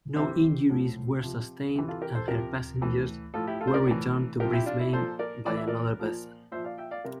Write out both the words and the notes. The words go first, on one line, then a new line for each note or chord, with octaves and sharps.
No injuries were sustained, and her passengers were returned to Brisbane by another vessel.
C3 E3 C5 E5
A2 F3
C3 F3
C3 E3
F4 A4
G4 A#4
A4 C5
C3 F3 G4 A#4
A2 E3
A2 F3 F4 A4
E4 G4
F4 A4
C5
A#4 D5
A2 E3
C3 F3 G4 A#4
E4 G4
D4 F4
E4
A#2 F3 A4 C5
A#4 D5
A2 E3 D5
E5
A#4 D5
A#2 F3
A#2 F3 C5 E5
D5 F5
E5 G5
D5 F5
C3 A#4